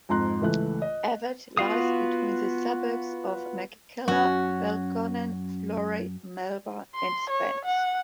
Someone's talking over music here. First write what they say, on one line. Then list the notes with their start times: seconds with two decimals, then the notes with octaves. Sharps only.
Evatt lies between the suburbs of McKellar, Belconnen, Florey, Melba and Spence.
0.09 F2 G#2 A#5 C6 F#6
0.41 C#2 E3 A3 F#6
0.82 D#5
1.57 B3 F4 F#4 F5 D#6
4.08 F#2 C#4 F#4
6.95 C6
7.30 C#5
7.65 F#5